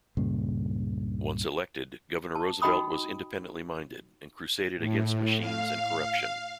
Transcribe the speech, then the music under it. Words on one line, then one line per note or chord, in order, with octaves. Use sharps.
Once elected, Governor Roosevelt was independently minded, and crusaded against machines and corruption.
C#2 G2 A#2 C#3
A5
D#4 F#4 D#5 G5 B5 D#6
A2
F5